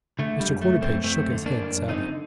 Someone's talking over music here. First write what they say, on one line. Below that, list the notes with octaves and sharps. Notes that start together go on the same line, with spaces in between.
Mr. Quarterpage shook his head sadly.
D3 A3
G3
F#2
A3
F#2
A3 C4
F#2 A3 C4
D3
A#3 D4
F#2
D3 C4 D#4